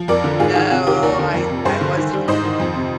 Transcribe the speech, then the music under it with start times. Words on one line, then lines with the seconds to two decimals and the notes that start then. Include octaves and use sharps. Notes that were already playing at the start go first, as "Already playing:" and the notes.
No. I I wasn't in
Already playing: F3
0.08 F2 A#4 D5
0.24 D3
0.39 G#2 F4 G#4
0.55 D#3 F4 G#4
0.71 C3 F4 G#4
0.87 D#3 G4 A#4
1.03 D#2 A#4 D5
1.19 D3
1.34 F2
1.50 C3
1.65 G2 G#4 C5
1.81 D3
1.97 D#3
2.13 G3
2.28 G#2 C5 D#5
2.45 D#3
2.60 F2
2.76 C3